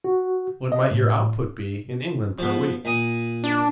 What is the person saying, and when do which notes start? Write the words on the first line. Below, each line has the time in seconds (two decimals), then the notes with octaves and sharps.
What might your output be in England per week?
0.04 F#4
0.72 D#5
0.91 A2
2.39 F3 B3
2.85 A#2 D#6
3.44 D4